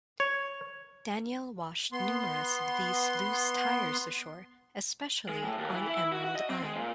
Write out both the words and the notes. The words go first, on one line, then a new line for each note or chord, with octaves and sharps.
Danielle washed numerous of these loose tires ashore, especially on Emerald Isle.
C#5
B3 C6
G#3
A2
D#2
E3
E4
F#4
F#4
D#5
C4
G#3
A#2